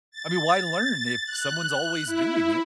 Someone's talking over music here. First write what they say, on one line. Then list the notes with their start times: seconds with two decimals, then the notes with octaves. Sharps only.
I mean, why learn if someone's always doing it?
0.11 A6
1.25 F#6
2.06 E4